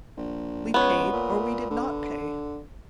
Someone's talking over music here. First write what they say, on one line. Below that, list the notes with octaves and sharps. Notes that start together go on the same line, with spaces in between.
We paid or we did not pay.
A#1
C#2 B3 C#5
A#2
D3